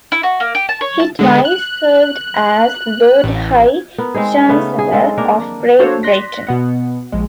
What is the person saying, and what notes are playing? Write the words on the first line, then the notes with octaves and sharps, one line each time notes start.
He twice served as Lord High Chancellor of Great Britain.
E4
F#4
A#3
G4
A5
C#5
A5
D3 G#3 B3
F#6
A1
B3 A#4
G#3 C4 D#4 G#4
C#3 A3 B3 C#4
G#4
G#3 C4 C#4 A4
A#3 D4 A#4
A#3 D4 F#4 A4 C5 C#5
D5 C6 F#6 A#6 B6
B2 B3 F#5
A#1 G#3